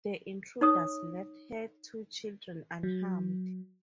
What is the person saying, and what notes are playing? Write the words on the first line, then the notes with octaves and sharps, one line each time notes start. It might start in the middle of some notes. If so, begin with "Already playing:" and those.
The intruders left her two children unharmed.
D#4 C#5 D#6
F#3